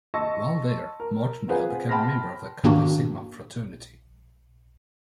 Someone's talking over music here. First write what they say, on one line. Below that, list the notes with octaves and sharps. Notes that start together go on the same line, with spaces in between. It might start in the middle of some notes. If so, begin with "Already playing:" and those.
While there, Martindale became a member of the Kappa Sigma Fraternity.
D#5 A5 C6 C#6 E6 A#6
A#4
C4 F4 G#4 B4 F#5 G#5
G5 A5 B5 C6 F6 A#6
G#2 D#3 A#3 D4 F#4